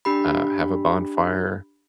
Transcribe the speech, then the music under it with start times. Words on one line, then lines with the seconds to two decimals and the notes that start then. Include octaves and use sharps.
uh, have a bonfire,
0.05 D4 G4 B5